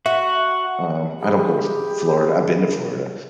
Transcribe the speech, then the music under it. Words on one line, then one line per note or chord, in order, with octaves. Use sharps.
um, I don't go to Florida. I've been to Florida,
F#4 E5 F#5
G4 G#4 B5 D#6